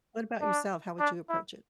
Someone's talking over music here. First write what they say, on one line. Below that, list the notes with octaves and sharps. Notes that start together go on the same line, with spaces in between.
What about yourself? How would you approach it?
D4
D4
E4